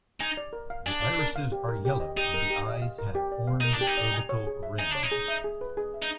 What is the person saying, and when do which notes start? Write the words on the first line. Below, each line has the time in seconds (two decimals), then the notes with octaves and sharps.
The irises are yellow and the eyes have orange orbital rings.
0.21 D#4 G#5
0.37 D5
0.53 A#4
0.70 F5
0.86 D4 G#5
1.02 D5
1.19 A#4
1.36 F5
1.52 G4
1.68 A#4
1.85 G4
2.00 D#5
2.17 D#4 G4
2.34 A#4
2.50 G4
2.67 D#5
2.82 F5
2.98 A#4
3.15 G4
3.32 D5
3.47 F5
3.61 D#4 A#4
3.74 D4
3.81 G4
3.87 D#4
3.97 D5
4.14 G#5
4.29 C#5
4.47 G#4
4.63 E5
4.79 D#4 G#5
4.91 D4 C#5
5.03 D#4
5.11 G#4
5.28 E5
5.44 G#4
5.61 B4
5.77 G#4
5.94 E5
6.03 D#4